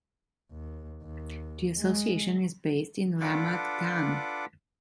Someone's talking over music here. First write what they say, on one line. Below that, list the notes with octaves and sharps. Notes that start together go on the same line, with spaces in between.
The association is based in Ramat Gan.
D#2
D#2
G#3
D4 F4 A4 B4 F#5 D6